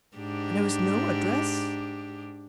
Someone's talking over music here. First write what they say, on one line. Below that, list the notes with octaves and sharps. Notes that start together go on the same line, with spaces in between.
And there was no address?
G#2 D4 G4